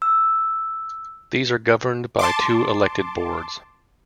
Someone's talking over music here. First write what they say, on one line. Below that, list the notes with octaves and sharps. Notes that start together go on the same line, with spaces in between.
These are governed by two elected boards.
E6
A5 C6 D6